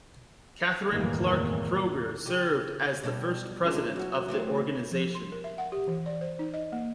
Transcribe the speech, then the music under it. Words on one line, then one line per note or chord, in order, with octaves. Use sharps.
Catherine Clark Kroeger served as the first president of the organization.
F#1 E2 A2 D#3 E3 A#3
C#3 G4
B2 G3 D4
C#2
E2 F#3 F#4
E3 A3 C4
F3
C6
A#4
E5
F#5
G4
E3
D5
C5
D#4
D#5
A#3